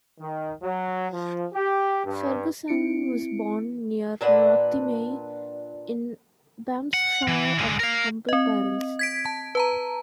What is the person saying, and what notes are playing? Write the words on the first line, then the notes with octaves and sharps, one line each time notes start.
Ferguson was born near Rothiemay in Banffshire of humble parents.
D#3
F#3
F3
G4
G2
C4 E4 C#7 D7
A#2 D4 B4 F#5
F#5
E3
D3 G#3
A#4 F5
C4 D#5
G#6 B6 D7
A5
B4 A5 A#5